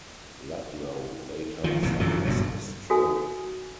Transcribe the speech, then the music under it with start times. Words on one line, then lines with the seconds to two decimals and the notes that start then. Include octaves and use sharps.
Ludlow later suffers a stroke.
1.64 D#3 F3
1.83 A#1 F#2 C3 E3
2.00 F#2 D3 E3 F3
2.25 F#1 G2 B2 F#3
2.90 F#4 A4 G#5